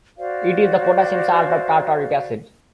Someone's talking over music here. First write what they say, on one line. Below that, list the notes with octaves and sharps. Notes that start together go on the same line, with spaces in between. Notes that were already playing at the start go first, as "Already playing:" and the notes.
It is the potassium salt of tartaric acid.
F#4 C5 D5 F5